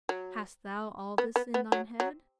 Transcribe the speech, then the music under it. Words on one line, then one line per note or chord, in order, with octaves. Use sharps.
Hast thou all this in thine head?
F#3
B3
B3
B3
F#3
F#3